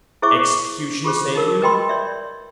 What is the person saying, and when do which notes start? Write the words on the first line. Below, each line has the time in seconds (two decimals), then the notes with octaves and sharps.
Execution, say you?
0.22 E4 G#4 C5 E5 C#6 D6
1.04 F4 G4 G#4 C5
1.35 D#4 A#4 E6
1.62 B4 D#5 G5 B5 C6
1.89 C#5 D5 E5